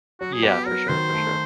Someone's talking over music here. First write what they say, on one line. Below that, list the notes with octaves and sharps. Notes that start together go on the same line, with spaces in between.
Yeah, for sure, for sure.
F#3 F#4
G#4
B3 G4
F#3 A#4
D#3 C5
A3